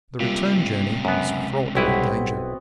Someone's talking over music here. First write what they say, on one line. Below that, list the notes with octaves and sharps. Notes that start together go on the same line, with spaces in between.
The return journey was fraught with danger.
C#2 C3 G3 A#3 F4
F#2 B3
B1 G3 B3 C4 E4 F#4 G4 B4